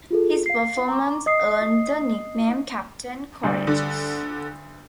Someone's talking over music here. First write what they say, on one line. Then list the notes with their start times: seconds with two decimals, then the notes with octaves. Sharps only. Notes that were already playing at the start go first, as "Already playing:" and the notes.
His performance earned the nickname "Captain Courageous".
0.11 F4 G#4 A4
0.46 F5 C7
0.89 A#5 C#6 D6
1.26 D#5 D#6 C7
3.43 D2 G2 G3
3.67 D3